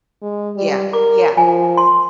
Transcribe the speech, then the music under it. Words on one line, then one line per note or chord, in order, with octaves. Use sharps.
Yeah, yeah.
G#3
G3
A#4 D6
F3 G#5
C6